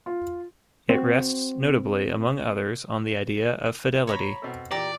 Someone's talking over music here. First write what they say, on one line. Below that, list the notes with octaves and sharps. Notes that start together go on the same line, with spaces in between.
It rests notably, among others, on the idea of Fidelity.
F4
C4 F#4
C#5 A#5 B5
B2 C4 A4
E2 A#2 G4 D5 A#5